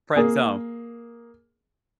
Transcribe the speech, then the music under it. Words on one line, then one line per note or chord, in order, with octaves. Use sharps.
Friend zone.
A#3 G#4